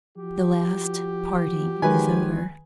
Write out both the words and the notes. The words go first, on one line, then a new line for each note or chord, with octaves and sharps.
The last parting is over.
F3 F#4 G4
D#3 F#3 G#3 B4 G#5